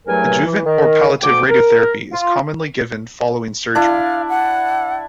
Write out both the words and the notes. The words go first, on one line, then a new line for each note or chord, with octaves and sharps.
Adjuvant or palliative radiotherapy is commonly given following surgery.
E2 G2 F#3 A3 A#4 G#5
E3
D#3 A#4
D2 G5 D6
A#4
F4
D4 E4 D5 F5
F#5